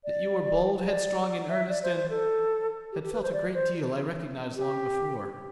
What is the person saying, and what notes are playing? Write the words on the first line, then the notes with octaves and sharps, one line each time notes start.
That you were bold, headstrong, in earnest and... had felt a great deal I recognised long before.
D5
D5
D5
E5
D5
C5
C5
A4
G4
G4
B4
C5
D5
C5
G4